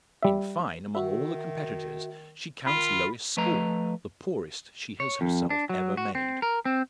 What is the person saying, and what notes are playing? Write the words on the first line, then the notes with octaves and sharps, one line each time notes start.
In fine, among all the competitors, she counts lowest score--the poorest she has herself ever made.
G3 E5
D#3 F#4 E5
D#3 F4 B5
F3 A3 B4 D#5 A#5
C#5
F2
D4
F#3
F#4
C4
A#4
C4